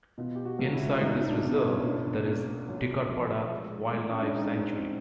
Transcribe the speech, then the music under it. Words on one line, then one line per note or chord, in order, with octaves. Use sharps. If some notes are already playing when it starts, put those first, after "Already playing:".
Inside this reserve there is Tikarapada Wildlife Sanctuary.
B2 F4
G4
F#4
C#2
E4
C#2 D#4
D4
B2
C#4
A#2 D4
A#3
B1
F3
G#3
G#2
C#4
D4
G#3 D#4
C4
C#4